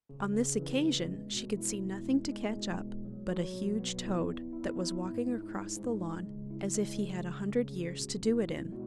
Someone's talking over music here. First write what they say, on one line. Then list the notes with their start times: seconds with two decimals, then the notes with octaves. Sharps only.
On this occasion she could see nothing to catch up but a huge toad, that was walking across the lawn as if he had a hundred years to do it in.
0.09 C#3
0.34 C#3
0.59 E3
0.83 G#3
1.08 E2
1.32 B2
1.57 E4
1.82 E2
2.06 G#3
2.31 G#3
2.56 B2
2.80 B1
3.05 F#3
3.30 F#3
3.54 B2
3.79 B3
4.04 E4
4.28 E2
4.53 E4
4.78 E4
5.03 G#2
5.27 G#2
5.52 G#2
5.76 G#2
6.01 G#3
6.25 C#3
6.50 E4
6.75 G#3
7.00 C#3
7.24 C#2
7.48 C#3
7.73 C#2
7.98 B2
8.23 E4
8.48 G#3
8.72 B2